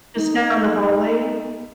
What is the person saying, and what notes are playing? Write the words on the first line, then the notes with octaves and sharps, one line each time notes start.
just down the hallway.
D#4